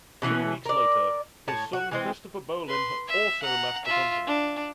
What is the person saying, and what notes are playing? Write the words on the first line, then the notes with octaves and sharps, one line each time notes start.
Two weeks later, his son Christopher Bolin also left the company.
B2 E3 C4 C#4
A#4 D5
A2 C#5 A5
F#4
E3 G#3 C4
B4 C6
E5
F#5 A#5
F4 E5
D4